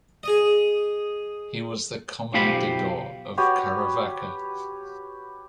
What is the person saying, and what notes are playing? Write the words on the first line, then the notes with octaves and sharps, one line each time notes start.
He was the comendador of Caravaca.
G#4 D#5
B1 F4 G4 C5 B5
F#4 G4 B4 C#5